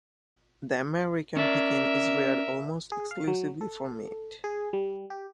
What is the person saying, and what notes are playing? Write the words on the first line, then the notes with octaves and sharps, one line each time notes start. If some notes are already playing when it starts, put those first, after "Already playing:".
The American Pekin is reared almost exclusively for meat.
C#4 A#4 D5 E5
G#4
F5
F#3
A4
G#4
G3
G4